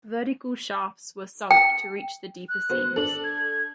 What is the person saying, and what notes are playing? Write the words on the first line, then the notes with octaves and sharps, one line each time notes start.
Vertical shafts were sunk to reach the deeper seams.
G5
F#6
B3 F#4 C5
D4 A4 F#7
G#6